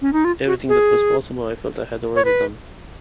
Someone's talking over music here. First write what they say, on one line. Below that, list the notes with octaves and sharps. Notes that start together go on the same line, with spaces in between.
Everything that was possible I felt I had already done.
C#4
D#4
F4
F#4
G#4
C#5
B4